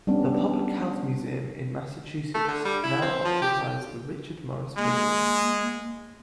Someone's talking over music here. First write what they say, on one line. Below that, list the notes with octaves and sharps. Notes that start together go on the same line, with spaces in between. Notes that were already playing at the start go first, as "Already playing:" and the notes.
The Public Health Museum in Massachusetts now occupies the Richard Morris Building.
G3 B3 C#4 D4
A3
D3
G3
E4
C4
F3
G4
G#3 A#3